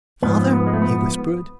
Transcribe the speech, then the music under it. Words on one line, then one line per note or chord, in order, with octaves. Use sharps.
"Father!" he whispered.
G#2 F3 B3
B3
G#3
A3
B3